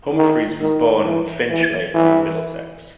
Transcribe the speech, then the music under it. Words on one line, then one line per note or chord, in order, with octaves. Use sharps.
Humphreys was born in Finchley in Middlesex.
D#3
D#3
E3
E3
E3